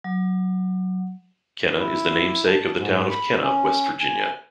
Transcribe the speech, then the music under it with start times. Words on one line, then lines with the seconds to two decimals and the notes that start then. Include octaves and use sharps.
Kenna is the namesake of the town of Kenna, West Virginia.
0.04 F#3
1.78 E4
2.48 A5
2.78 G#2
3.10 B5
3.43 C#4
4.00 G#5